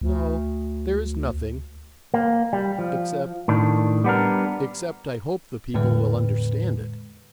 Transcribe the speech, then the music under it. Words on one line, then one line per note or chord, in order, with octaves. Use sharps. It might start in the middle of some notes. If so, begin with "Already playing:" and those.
"No--there is nothing--except ... except I hope the people will understand it."
D2
A#3
G3
F3
A2 D#3 D4
G3 B3 D4 A#4
E2 A2 D3 G#3 B4